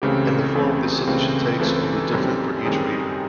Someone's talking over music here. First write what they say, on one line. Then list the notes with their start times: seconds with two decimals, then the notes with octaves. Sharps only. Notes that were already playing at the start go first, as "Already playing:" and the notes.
And the form this solution takes will be different for each reader.
0.02 C#2 C#3 E3 A3 C4 G4
0.54 C#2 C#3 E3 A3 C4 G#4
1.07 C#2 C#3 E3 A3 C4
1.59 C#2 C#3 E3 A3 C4 A4
2.12 F#2 D#3 G3 C4
2.65 F#2 D#3 G3 C4 G#4